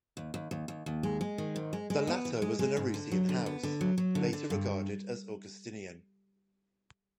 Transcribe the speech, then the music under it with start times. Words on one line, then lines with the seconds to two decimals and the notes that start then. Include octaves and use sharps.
The latter was an Arrouasian house, later regarded as Augustinian.
0.17 D#2
0.34 D#2
0.51 D#2
0.68 D#2
0.86 D#2
1.03 G#3
1.21 G#3
1.38 D#3
1.56 G#2
1.73 G#3
1.90 G#3
2.07 B3
2.25 E3
2.42 G#3
2.59 G#3
2.77 G#2
2.94 D3
3.11 F#3
3.29 D3
3.46 B3
3.63 D3
3.81 F#3
3.98 F#3
4.15 D3
4.33 D3
4.50 G2